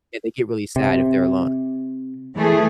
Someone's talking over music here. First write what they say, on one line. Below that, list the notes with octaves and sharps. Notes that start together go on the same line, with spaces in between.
Yeah, they get really sad if they're alone,
C3
E3 A3 G#4